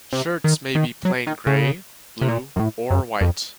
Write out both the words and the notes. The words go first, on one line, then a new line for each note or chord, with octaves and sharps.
Shirts may be plain grey, blue or white.
C3
D#3
D#3
F#3
D#3
C#3
C3
A#2
F#2
A2
F#2
F2